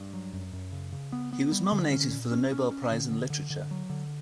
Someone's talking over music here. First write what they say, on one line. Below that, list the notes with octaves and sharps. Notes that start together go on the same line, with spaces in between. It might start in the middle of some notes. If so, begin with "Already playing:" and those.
He was nominated for the Nobel Prize in Literature.
Already playing: G2
F#3
F#2
F#2
C#3
C#3
B3
B3
G3
D3
C#4
A#2
C#4
C#4
C#4
D3
D3
D3
D3
F#3
D3